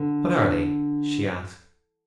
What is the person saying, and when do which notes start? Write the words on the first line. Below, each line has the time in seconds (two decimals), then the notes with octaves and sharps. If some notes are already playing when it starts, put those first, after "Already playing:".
"What are they?" she asked.
Already playing: D3